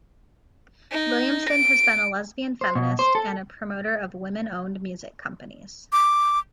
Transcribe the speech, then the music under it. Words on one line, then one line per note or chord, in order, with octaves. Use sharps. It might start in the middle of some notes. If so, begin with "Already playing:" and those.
Williamson has been a lesbian feminist and a promoter of women owned music companies.
D#4
D7
C5
B2
C5
A4
D6